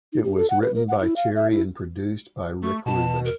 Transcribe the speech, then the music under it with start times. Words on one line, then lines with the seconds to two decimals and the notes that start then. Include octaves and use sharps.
It was written by Cherry and produced by Rick Rubin.
0.13 D#4
0.24 G4
0.37 A4
0.50 F#5
0.62 B4
0.75 A#4
0.88 F#5
1.01 E4
1.16 F5
1.35 E5
1.50 E4
2.63 A3 C#6
2.86 B2 A5
3.25 A#4